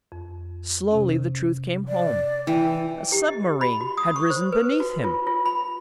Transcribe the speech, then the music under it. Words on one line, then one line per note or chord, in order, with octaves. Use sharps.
Slowly the truth came home: a submarine had risen beneath him.
F2
C3 C#4
D5
E3 G5
G4
D#5
B5
F#4
D#6
C#6
C5
B4
F#4
F4
F4
B5